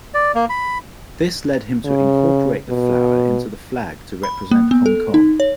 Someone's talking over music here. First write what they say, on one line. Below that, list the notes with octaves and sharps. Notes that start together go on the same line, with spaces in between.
This led him to incorporate the flower into the flag to represent Hong Kong.
D5
A#3
B5
C#3
B2
B5
A#3
B3
A4
D#4
C#5